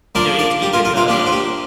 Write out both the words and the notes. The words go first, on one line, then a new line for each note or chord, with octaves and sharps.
you know, it's even, uh
F3 A#3 D4 A#4 D5
A#4 D5
G4
F4 A#4
F4 A#4
F4 A#4
F3 A#3 D4 G4
F4
G4